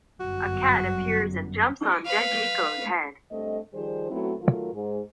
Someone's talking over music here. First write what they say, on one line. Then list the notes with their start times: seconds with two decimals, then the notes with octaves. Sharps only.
A cat appears and jumps on Dejiko's head.
0.20 G1 F#2 F#3 F#4
2.06 B4 F5
3.31 G2 A3 C4 A4 D#5
3.73 D#3 F3 G3 G#4 C5
4.10 F#3 A3 B3 C4 E4 F#4
4.40 D#3 F#3 A3 F4 A#4
4.73 G#2